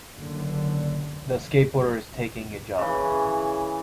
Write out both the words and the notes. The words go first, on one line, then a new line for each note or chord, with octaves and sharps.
The skateboarder is taking a jump.
F#1 D3
C#3 E3